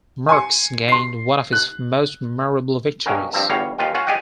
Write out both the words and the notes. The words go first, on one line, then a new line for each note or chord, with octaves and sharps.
Merckx gained one of his most memorable victories.
G#5 C6 C#7
C6 C7
F#6
G2 B2 F#3 C#4 A#4
G2 F3 C4 A5
G1 E2 G3 C#5 F5 A#5
D#2 A#2 F4 B4 G5
C#4 F4 F#4 F#5
G4 G#4 D5 D#5 F#5 G5